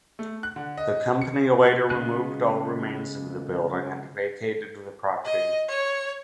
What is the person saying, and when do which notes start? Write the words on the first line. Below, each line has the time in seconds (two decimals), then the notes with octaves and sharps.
The company later removed all remains of the building and vacated the property.
0.19 A3
0.43 F#6
0.56 D3
0.77 D#5
1.22 C#7
1.90 C#3 G#3 B3 F#6
5.24 D#5
5.68 C#5